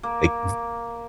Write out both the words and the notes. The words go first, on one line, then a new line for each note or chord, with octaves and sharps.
Like v
A#3